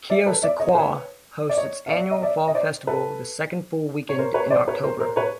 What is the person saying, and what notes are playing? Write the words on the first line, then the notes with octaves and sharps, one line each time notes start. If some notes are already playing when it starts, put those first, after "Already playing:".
Keosauqua hosts its annual Fall Festival the second full weekend in October.
D5 E5
A4 B4
D5 E5
C#5 D#5
C5
B4 C#5
D5
C#5 D#5
F5
D5 E5
D#5
D5 E5
D#5
C5 D5
A4 B4
C#5
A#4 C5
B4 C#5
C5 D5
B4 C#5
A#4 C5
A#4 C5
B4 C#5